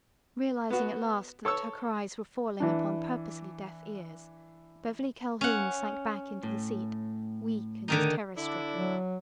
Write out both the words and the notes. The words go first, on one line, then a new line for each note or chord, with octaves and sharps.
Realizing at last that her cries were falling upon purposely deaf ears, Beverly Calhoun sank back into the seat, weak and terror-stricken.
B3 F#4
A4 C#5 C#6 E6
E3 D4
C#4 F#5
A2
D3 D#3 D#4
D3 D4 E4
F#3